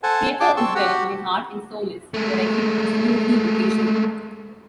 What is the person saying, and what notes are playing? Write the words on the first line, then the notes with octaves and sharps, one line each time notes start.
Theatre is where my heart and soul is, where I feel absolutely vocational.
A4 C5 F#5 G#5 A5
D4 G#4 G5 A5 D6
C4 A5 C6 C#6 E6
F#4 G4 F#5
G#3 A3